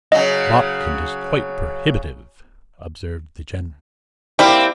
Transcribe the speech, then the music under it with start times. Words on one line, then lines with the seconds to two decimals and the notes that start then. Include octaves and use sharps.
"Botkin is quite prohibitive," observed the general.
0.12 C#3 F#3 D#5
4.39 G3 A#3 C4 E4 G4